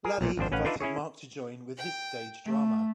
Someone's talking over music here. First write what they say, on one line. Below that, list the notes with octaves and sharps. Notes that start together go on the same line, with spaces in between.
Laddie invited Mark to join with his stage drama.
G#4 A#4 G#5
B1 A#2
G#1 F2 D4 C5
A1 C#4 B4 F5 F#5
D4 D#4 F4 B4 D5 E5
C#4 E4 G#4 C#5
G5
A3